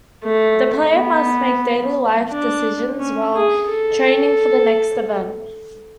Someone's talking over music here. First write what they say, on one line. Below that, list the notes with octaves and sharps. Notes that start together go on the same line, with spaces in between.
The player must make daily life decisions while training for the next event.
A3
B3
D4
C#4
G#4
A4